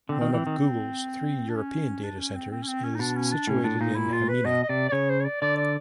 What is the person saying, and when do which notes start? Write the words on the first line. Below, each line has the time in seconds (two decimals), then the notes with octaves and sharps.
One of Google's three European data centers is situated in Hamina.
0.09 D3 C4
0.21 D#3
0.34 E3
0.47 D#3
1.49 D4
1.55 C#4
2.03 D4
2.19 C#4
2.35 C4
2.51 C4
2.62 C#4
2.68 C4
2.84 C#4
2.95 D#4
2.99 B2 D4
3.16 C#4
3.32 D4
3.47 A2 C#4
3.64 A2 D4
3.80 A#2 D#4
3.96 A#2 E4
4.13 F4
4.29 B4
4.45 B2 D#5
4.63 D#5
4.68 C3 D5
4.89 D5
4.92 C#3 C#5
5.09 C5
5.20 C#5
5.25 D5
5.41 D3 D5
5.57 D5